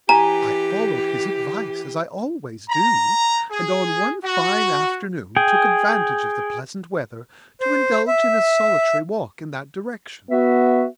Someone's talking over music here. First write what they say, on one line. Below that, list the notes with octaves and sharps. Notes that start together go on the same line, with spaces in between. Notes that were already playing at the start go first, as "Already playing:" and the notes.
I followed his advice, as I always do, and, on one fine afternoon, took advantage of the pleasant weather to indulge in a solitary walk in that direction.
E3 G4 G#5 A#5
A#5
G#4
F#4
G#4 G5
C5
E5
B3 F#4 E5